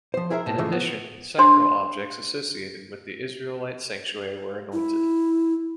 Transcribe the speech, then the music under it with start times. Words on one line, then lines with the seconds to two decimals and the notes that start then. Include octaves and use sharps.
In addition, sacral objects associated with the Israelite sanctuary were anointed.
0.14 F3 C5
0.30 E4 G#4 A#4 C5 C#5 E5
0.46 A2 A5
0.58 C#3 E3 F3 G#3 A3
0.72 B3
1.38 D4 C5 C6
4.73 E4